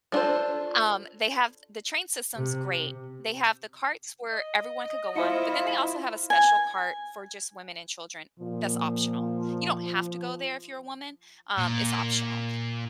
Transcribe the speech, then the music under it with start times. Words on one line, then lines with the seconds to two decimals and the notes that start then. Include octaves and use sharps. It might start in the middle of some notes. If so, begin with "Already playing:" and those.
Um, they have the train system's great. They have the carts where everyone could go on, but then they also have a special cart for just women and children that's optional. You don't have to go there if you're a woman, um, it's optional.
0.12 G3 D4 F4 A4 C5
2.36 C3
4.32 D#5
5.16 E4 F4 C5 E5 C#7
6.30 G#5
8.39 A#2 F3
11.58 A#2